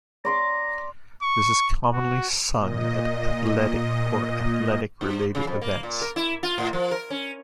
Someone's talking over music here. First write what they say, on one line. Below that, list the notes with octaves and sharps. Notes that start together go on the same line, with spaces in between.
This is commonly sung at athletic, or athletic related events.
D5 A#5 C6 D6
C#6
F#4
A#2 D#5
G2
C#3
F2
A#3
A#2
A#4
E4
F4
A2
F3
A#4
C#4